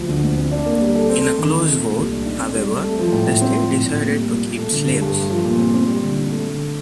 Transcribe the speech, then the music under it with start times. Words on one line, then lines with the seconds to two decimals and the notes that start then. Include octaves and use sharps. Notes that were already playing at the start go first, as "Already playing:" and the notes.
In a close vote, however, the state decided to keep slaves.
Already playing: D2 F3
0.09 D3
0.23 D2
0.38 C4
0.51 D4
0.66 A#3
0.81 G3
0.95 A4
1.10 C4
1.24 A3
1.39 D#3
1.53 D#4
1.67 A3
1.83 A#2
1.97 C2
2.11 D4
2.26 D#4
2.40 C4
2.55 G3
2.69 G3
2.83 A3
2.99 F3
3.12 A2
3.27 A2
3.42 C4
3.56 F3
3.71 A2
3.85 A2
4.00 A#3
4.15 G3
4.28 A#2
4.43 A#2
4.58 A3
4.72 D3
4.87 G2
5.01 G2
5.16 A3
5.30 F3
5.45 A#2
5.59 C4
5.74 C4
5.88 G3
6.03 D3
6.16 D#4
6.32 A3
6.47 D3